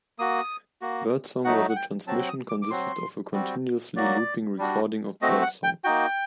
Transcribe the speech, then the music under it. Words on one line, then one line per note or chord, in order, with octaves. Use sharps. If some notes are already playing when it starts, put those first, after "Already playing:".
"Birdsong" was a transmission consisted of a continuously looping recording of bird song.
A#3 F#4 D#6
A#3 F#4
F#3 A3 D#4 F#4 F#5
F#5
G5
F#3 C4 F#4 A5
D#6
D6
D6
F#3 C4 F#4 C6
G3 C4 F#4
F#3 A#3 F#4 D5
G3 D4 F#4
A3 C4 F#4 D#5
F#5
G5
A#3 D#4 F#4 G5